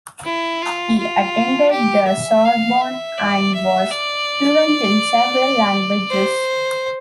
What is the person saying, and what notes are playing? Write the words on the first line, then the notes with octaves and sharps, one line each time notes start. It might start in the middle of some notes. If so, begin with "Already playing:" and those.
He attended the Sorbonne and was fluent in several languages.
E4
F4
F4
G4
E5
F5
E5
D5
E5
D5
C5